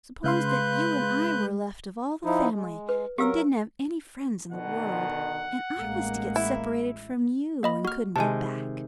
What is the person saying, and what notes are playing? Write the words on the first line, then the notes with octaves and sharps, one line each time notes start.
"S'pose that you and I were left of all the family, and didn't have any friends in the world, and I was to get separated from you and couldn't get back?"
C#3 G#3 B4 F5 C6 F#6 G6
F3 D#4 E4
G#3
B4
F#3 G4 A#4 F5 E6
B2 D3 D#3 F#5
A1 G#3 A#3
E4
A#3 D#5 B5
F#4 F6
C3 D#3 G#3 G#5 A5